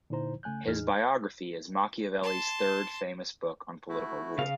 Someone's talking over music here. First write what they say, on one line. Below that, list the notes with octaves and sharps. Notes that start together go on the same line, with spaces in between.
His biography is Machiavelli's third famous book on political rule.
A#2 D3 D#4 E4 C5 A#5
C#3 A3 G#5 F#6 G6
E2 A2 D#4 G#4 F6
A5 C6
A3 E4 F#4
C#3 F5